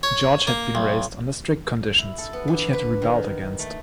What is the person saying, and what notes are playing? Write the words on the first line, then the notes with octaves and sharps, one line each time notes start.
George had been raised under strict conditions, which he had rebelled against.
C#5
A#3
B1
E4
A4
B3
D3
B4
D#3
A3